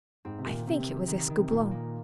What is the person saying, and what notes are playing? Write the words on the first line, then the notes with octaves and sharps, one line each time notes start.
I think it was Escoublon.
G#2 C4
C3
A#2 D#3
C3 C4
D#3
D#3
D#3
C3
A#2 D#3
A#3